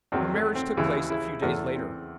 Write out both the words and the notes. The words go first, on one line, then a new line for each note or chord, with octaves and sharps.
The marriage took place a few days later.
E2 D#3 F#3 C4
A3
C4
D#2 C#3 E3 E4 G#4
E4 G#4
E2 C#3 E3 A3
C4